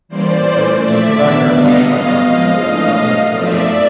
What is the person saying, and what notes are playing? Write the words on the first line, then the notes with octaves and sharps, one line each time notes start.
And on your and on your feet a lot, so that probably really
E3 G3 A#3 C#4 C5 D5
E3 A3 C#4
A#2 F3 A3 D5 E5
D#3 F#3 B3 D4
D3 G3 B3 D4 D#5 F5
C#3 F#3 B3 D#5 F5
F3 G#3 C4 D#5 F5
E3 A3 D4 D#5 F5
B2 F#3 A3
F3 A3 C4 D#4 D5 E5